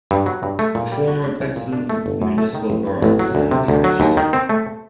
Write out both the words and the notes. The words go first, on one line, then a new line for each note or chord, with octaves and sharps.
The former Bexhill Municipal Borough is unparished.
G2
F#3
G2
A3
A#2
G3
F#4
D4
C2
A#2
D4
A3
G1
F#2
A3
D#3
A1
G2
A1
F#3
D2
C3
D2
F#3
D#2
D#3
C4
A3